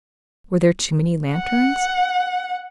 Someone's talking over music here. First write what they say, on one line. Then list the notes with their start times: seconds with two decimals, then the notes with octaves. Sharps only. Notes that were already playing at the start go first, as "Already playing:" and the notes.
Were there too many lanterns?
1.33 F#5